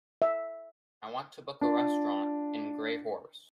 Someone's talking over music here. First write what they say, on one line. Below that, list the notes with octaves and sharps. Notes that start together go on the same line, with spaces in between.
I want to book a restaurant in Gray Horse.
E5
D4 F4